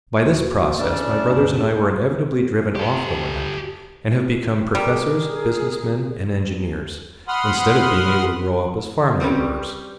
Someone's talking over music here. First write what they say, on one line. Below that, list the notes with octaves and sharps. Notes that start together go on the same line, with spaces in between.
By this process my brothers and I were inevitably driven off the land, and have become professors, business men, and engineers, instead of being able to grow up as farm labourers.
D#2 F3 F#4
C#3 E3 D4 A4 D5
D2 G2 A5
G4 A4
G3 G#4 A#4
F#5 B5 C6 D#6 F6
G3 C4 C#4 B4